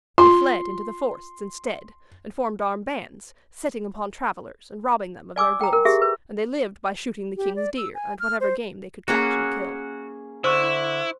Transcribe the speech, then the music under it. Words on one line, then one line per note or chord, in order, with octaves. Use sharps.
They fled into the forests instead and formed armed bands, setting upon travelers and robbing them of their goods; and they lived by shooting the King's deer and whatever game they could catch and kill.
F4 C6
D5 G#5 D6 E6
G5 A#5
A#4
G4 G#4 E5
B4
G4
D5
E6
G#5
F6
C5
A#3 C#4 F#4 G#4
D3 E4 C5 C6 C#6